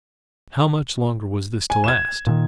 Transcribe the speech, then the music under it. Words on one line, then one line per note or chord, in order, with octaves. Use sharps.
How much longer was this to last!
G#5
G#6 E7
A#2 D3 D#3